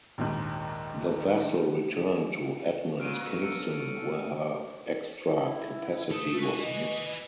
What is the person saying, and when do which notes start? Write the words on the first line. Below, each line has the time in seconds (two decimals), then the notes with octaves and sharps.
The vessel returned to Edmonds- Kingston where her extra capacity was missed.
0.18 A#1 D#2 G#2
3.00 A#2 F#3 B3 F#4 F6 D7 D#7
3.40 A4 E6 C#7 D7
5.39 E4
6.11 A3 G#4 A4
6.39 F#4 B4 G#5
6.61 D#5